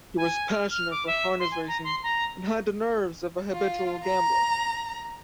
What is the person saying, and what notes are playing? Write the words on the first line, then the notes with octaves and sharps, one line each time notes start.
He was passionate for harness racing and had the nerves of a habitual gambler.
G#5
F6
F6
D6
E5
C6
G#5
A#5
C6
A#5
F4
A#5